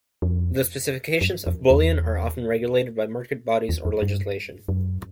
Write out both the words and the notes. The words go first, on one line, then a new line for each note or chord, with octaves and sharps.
The specifications of bullion are often regulated by market bodies or legislation.
F2
F#2
F2
E2
E2
F2
G2
F#2